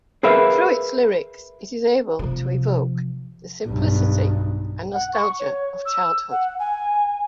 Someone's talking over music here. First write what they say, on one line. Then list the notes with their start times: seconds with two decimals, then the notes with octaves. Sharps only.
Through its lyrics, it is able to evoke the simplicity and nostalgia of childhood.
0.23 G#4 A#4 B4 E5 F5
2.19 C3 F3
3.65 B1 G2
4.93 F#5
5.13 C#6
5.39 C#5
5.85 E6
6.31 F#5
6.59 G#5